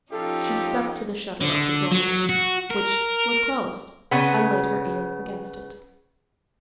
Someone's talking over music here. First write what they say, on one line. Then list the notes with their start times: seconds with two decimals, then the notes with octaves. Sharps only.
She stepped to the shutter of the drawing-room, which was closed, and laid her ear against it.
0.11 F3 C#4 D#4 F4 G4 A4
1.41 D3
1.91 F#3
2.29 F#4
2.70 A#4
4.11 C#3 B3